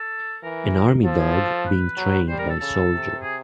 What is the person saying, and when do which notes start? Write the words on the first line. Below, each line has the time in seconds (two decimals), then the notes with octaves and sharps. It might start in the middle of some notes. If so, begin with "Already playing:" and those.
An Army dog being trained by a soldier.
Already playing: A4
0.43 E3 A#4
1.04 F3 A4
1.18 G#4
1.32 A4
1.66 B4
1.97 F#3
2.28 G3 C5
2.39 A#4
2.49 A4
2.60 C#3 A4
2.91 C3
3.22 G#4